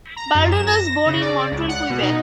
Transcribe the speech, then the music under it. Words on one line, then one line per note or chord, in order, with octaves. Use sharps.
Baldwin was born in Montreal, Quebec.
A#5
F#2
E7
A#6
C#3
D5
C#2
F#5
B2
D#4